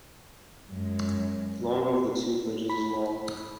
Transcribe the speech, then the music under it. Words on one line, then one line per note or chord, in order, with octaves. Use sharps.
The longer of the two bridges is long.
F#2 G#3
B5